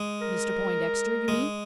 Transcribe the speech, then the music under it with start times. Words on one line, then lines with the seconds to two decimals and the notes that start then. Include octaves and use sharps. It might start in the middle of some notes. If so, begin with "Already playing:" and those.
"Mr Poindexter, you mean?"
Already playing: G#3
0.21 A#4
1.28 G#3